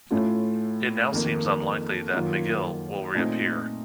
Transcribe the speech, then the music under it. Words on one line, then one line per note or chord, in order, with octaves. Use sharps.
It now seems unlikely that "Magill" will reappear.
A2 A3 C#4 F4
F2 D#3 A#3
F#2 D#3 A#3 F4
A#2 A3 C4 D#4